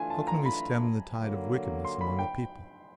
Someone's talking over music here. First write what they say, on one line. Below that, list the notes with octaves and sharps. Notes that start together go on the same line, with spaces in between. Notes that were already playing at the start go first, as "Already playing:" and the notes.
How can we stem the tide of wickedness among the people?
Already playing: E3 A3 D4 F4 G#5
A5
A#5
B5
D3 F#3 A#3
C6
B5
G5